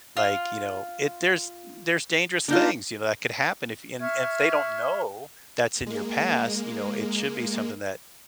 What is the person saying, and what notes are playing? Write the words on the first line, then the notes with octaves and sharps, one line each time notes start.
Like, you know, it there's there's dangerous things, you know, that could happen if and if they don't know that's in your past, you know, it should be something that
F4
D4 D#4 F4
E5 C#6 F6 G#6
G#3 A#3